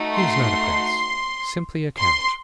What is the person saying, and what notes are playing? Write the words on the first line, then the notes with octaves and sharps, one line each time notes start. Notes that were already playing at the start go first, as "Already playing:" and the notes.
"He is not a prince; simply a count."
Already playing: A3 D#4 F#4
C6
C6